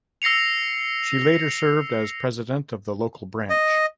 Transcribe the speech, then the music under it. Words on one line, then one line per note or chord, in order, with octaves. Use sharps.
She later served as president of the local branch.
E6 A#6 C7 C#7 F7
D#5